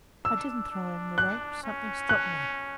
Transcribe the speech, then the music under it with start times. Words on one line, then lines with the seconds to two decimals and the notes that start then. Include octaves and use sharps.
I didn't throw him the rope; something stopped me.
0.25 D4 E6
0.71 D4
1.18 F#6
1.63 C#4
2.09 F#6